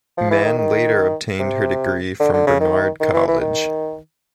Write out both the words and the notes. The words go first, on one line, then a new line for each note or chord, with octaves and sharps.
Mann later obtained her degree from Barnard College.
F3
E3
D#3
D#3
C3
D3
D3
C#3
D#3
D#3
E3
E3
D#3